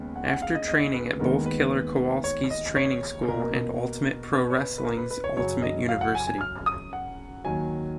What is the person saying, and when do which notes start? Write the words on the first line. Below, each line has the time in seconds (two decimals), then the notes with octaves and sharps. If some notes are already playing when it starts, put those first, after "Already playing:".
After training at both Killer Kowalski's training school and Ultimate Pro Wrestling's Ultimate University.
Already playing: D#2 C#3 G#3 B3
0.16 F#5
0.29 F#5
0.42 F5
0.55 D#5
0.68 D#5
0.94 B4
1.19 D#2 D#3 G#3 B3 A#4
1.46 B4
2.24 C#5
2.50 D#5
2.76 C#5
3.28 B2 A#3 A#4
4.33 B4
4.50 C#5
4.58 B4
4.78 B4
4.84 A#4
4.97 B4
5.11 B4
5.24 C#5
5.36 F#2 C#3 F#3 C#5
5.62 D#5
5.89 F5
6.01 F#5
6.15 G#5
6.27 G#5
6.41 F6
6.66 D#6
6.93 F#5
7.45 D#2 D#3 F#3 G#5